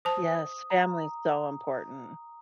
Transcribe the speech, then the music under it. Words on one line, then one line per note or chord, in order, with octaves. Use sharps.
Yes, family is so important.
C5 A5 D#6
A#5